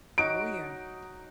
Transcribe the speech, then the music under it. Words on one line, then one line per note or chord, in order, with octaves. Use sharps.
Oh, yeah.
F#3 D#4 F#5 D7